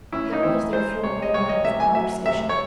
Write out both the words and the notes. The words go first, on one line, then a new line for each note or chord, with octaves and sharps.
There was therefore no room for conversation.
C#4 E4
D#4
E3 E4
G#3 C5
C3 C#5
D#5
C2 C#5
D#5
C3 E5
G#5
F#3 E5
C3 E5
C#5